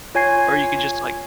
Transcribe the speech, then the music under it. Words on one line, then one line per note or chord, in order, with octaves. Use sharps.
Or you could just, like,
F4 C#5 G#5 G#6 C7